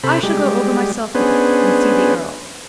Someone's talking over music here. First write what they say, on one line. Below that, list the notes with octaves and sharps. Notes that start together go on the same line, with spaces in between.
I shall go over myself with it, and see the earl.
C3 A4 C5 B5
G3 G#3 G4
B3 C#4 D4 G#4 B4 C5